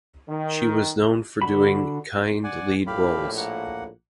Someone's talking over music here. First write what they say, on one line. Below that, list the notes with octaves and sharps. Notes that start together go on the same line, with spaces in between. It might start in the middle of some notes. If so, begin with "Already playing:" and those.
She was known for doing kind lead roles.
D#3
D3 D4 F#4 B5
D5 F#5 G#5
A#1 A2 G4 F5 B5
A#3 F#5